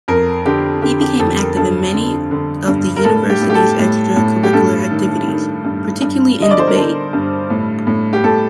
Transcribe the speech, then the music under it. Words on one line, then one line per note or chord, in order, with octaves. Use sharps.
He became active in many of the university's extra-curricular activities, particularly in debate.
F2 A#4
D3 G4
D3 G4
G4
F2 A4
A#4
G2 A4
D3
D3
G2
A#4
A2 A4
G4
A2
G4
A4
A2
A2
G4
G2 A4
D#3
D#3
G2
G2
D3 D#5
D5
C5
A#4
D3 A4
G2
A2
A2
G4
A2 A4